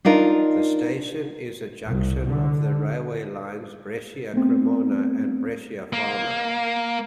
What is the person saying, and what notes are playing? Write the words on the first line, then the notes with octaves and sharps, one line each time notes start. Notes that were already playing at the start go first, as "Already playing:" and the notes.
The station is a junction of the railway lines Brescia-Cremona and Brescia-Parma.
D4 D#4 F4 A#4
C2
D3
A3 B3 C4
A#3